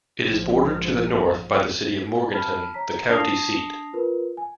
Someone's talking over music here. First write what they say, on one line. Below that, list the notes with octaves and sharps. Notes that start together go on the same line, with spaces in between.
It is bordered to the north by the city of Morganton, the county seat.
A#1 G#2 F3
A5 B5 F6
C#5 A#5 B6
D4 A5 D#6 A#6 C7 F7
F4 A#4 B4
G#5